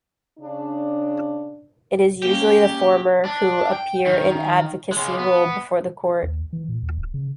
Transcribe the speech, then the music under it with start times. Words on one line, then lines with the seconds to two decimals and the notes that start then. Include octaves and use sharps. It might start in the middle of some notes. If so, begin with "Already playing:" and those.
It is usually the former who appear in an advocacy role before the court.
0.39 C#3 D4
2.22 A#3 C#4 G4
3.25 D4
3.72 G5
4.06 D#3
4.92 C#3 G#3
5.19 B3
6.23 D#2
6.53 E3
6.69 A#2
6.83 D#2
6.98 D1
7.14 C#3